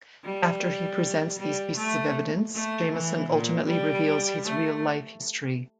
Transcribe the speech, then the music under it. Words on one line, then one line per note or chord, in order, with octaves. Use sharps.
After he presents these pieces of evidence, Jameson ultimately reveals his real life history.
G3
G3
A3
A3
E3
A#2
G3
A3